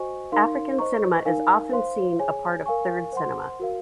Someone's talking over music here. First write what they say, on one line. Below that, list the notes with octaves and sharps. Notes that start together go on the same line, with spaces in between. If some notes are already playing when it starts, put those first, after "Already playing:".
African cinema is often seen a part of Third Cinema.
Already playing: F#4 C5 D#5 G#5 C#6
D#4 A#4 F5 C6
C5 D#5 A#5 C#6
D#4 A#4 F5 G#5
C5 F5 C6
G#4 C#5 G#5
A#4 F5 G#5 C#6
C5 F#5 C6
F#4 A#4 F5